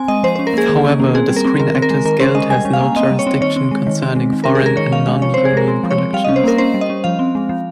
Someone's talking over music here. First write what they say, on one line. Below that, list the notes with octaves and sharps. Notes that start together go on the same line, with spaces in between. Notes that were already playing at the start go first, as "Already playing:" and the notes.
However, the Screen Actors Guild has no jurisdiction concerning foreign and non-union productions.
Already playing: C4 G#5
G#3 D#5
F3 C5
C#4 C5
A#4
A#3 G#4
D#3
C#4
A#3
C4 G#4
G3
A#4
C4
D#3 A#4
C4
A#4
G#3
D#3 A#4
C#4 C5
G#3 D#5
G3 G#5
C#4
F5
A#3
C4 D#5
G3
C#5
C4
D#3 C#5
C4
G#3
D#3
C4
G#3
D#3
C#4 A#4
G#4
G#3 A#4
D#3 C#5
C#4 F5
G#3
F3 C#5
C4 C5
G#4
G#3 A#4
C4
F3
C#5
C4
G3 F5
C#4 D#5
C5
A#3 A#4
C#4 C5
G3
D#5
C#4
F3 F5
C4
G#3
F3